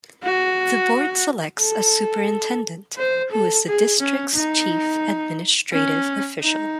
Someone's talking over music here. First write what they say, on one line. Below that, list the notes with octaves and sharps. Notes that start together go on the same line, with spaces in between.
The board selects a superintendent, who is the district's chief administrative official.
F#4
A4
C5
A4
G#4
C#4
D#4
C#4
D#4